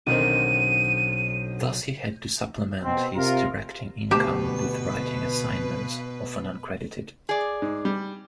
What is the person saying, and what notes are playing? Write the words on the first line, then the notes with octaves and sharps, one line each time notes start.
Thus, he had to supplement his directing income with writing assignments, often uncredited.
B1 D3 D#3 C4 D#7
B2 C4
C3 F4 A#4
D2 B2 G4 B4 A5
G#4 D5
G#2
G3